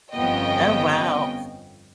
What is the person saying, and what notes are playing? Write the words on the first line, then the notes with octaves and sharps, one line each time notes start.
Oh, wow.
G1 F2 B3 C#4 D#5 G5